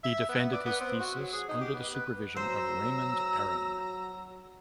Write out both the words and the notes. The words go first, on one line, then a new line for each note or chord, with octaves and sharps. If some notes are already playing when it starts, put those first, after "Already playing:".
He defended his thesis under the supervision of Raymond Aron.
E5
B3
D5
B3
C4
F#4
F#3
G#4
D#4
G4
B3
B4
F#3 C5 A#5 E6